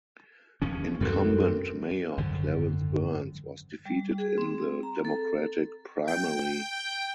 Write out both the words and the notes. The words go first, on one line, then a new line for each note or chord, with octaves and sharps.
Incumbent mayor Clarence Burns was defeated in the Democratic primary.
D#2 F3 C#4
F#2 C4 F#4 A4 A#4
G#1 F#2 D3 F3
G3
G#4
C4
A#5
A4
G5